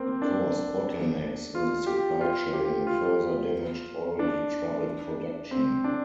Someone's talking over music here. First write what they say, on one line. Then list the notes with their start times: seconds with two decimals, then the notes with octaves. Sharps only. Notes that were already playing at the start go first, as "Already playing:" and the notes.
It caused bottlenecks in the supply chain and further damaged already troubled production.
Already playing: A#3 C4
0.22 D4
1.55 F4
1.87 G4
2.21 F4
2.53 G4
2.87 F4
4.19 D4
5.51 C4
5.84 D4